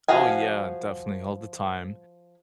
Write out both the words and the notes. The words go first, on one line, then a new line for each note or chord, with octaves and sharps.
Oh yeah, definitely all the time,
F3 F#4 G#4 G#5